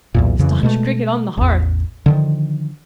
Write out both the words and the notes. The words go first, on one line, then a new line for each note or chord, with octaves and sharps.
Staunch Cricket on the Hearth!
B1 E2 A#2
F2 C#3 E3
B2 G#3 A3
A1 E2
D3 D#3 F3